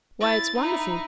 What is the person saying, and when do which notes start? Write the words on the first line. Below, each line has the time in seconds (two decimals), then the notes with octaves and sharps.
Why, it's wonderful!
0.21 E4 A6
0.58 D#4 E4 A#5